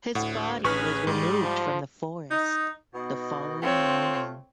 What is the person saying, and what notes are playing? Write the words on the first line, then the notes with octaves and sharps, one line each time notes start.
His body was removed from the forest the following morning.
D2 A2 F#5
A1 C#4 G#4 B4 C#6 F6
G#2 G3
F3
D#4
B2 B3 D#4
A3 C4 F4 C#5